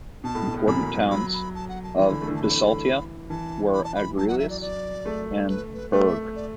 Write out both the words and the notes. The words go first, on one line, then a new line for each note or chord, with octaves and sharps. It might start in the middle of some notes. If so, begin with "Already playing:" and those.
Important towns of Bisaltia were Argilus and Berge.
B2 A5
A2
B2
A2
F#2 B5
F#2
F#3
F#3 B5
B5
A5
F#5
A5
E3 B5
D3
A3
D3
E3
A5
E3 B5
E3 A5
B5
A5
B5
F#3 A5
F#5
E5
D5
D5
A3
B4
B4
A3 D5
E5
D5